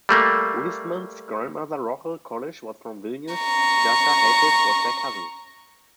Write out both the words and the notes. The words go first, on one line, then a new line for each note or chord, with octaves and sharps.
Wiseman's Grandmother Rochel Colish was from Vilnius, Jascha Heifetz was their cousin.
G3 A3 A#3
A#5 C#6